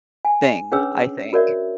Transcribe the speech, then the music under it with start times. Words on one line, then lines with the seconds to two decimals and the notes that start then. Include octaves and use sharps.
thing, I think.
0.25 G#5
0.72 C#4 D4 G#4 B4 C#5 E6
1.33 F#4 A#4 C#5 D5 E5